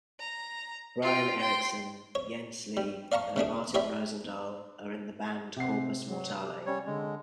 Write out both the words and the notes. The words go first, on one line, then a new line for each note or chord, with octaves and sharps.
Brian Eriksen, Jens Lee and Martin Rosendahl are in the band Corpus Mortale.
A#5
F4 G5
G5 C6
C#5
G3
D5 F5 A5 A#5 C#6
C#3 A3 D4 G#4
G4 C#5 D5 E5 B5
C3 C4 F#5 C7
F#3
G4
G3 C#4 C#5
D3 G#3